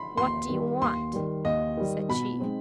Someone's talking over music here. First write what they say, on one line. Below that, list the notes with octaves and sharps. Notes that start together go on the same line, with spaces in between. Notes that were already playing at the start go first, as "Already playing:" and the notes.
'What do you want?' said she.
Already playing: B5 C6
D#2 C6
D#3 G3
D#2 C6
D#3 G3
D#2 D#5
D#3 G3
B2 B5
G#3 C4 D#4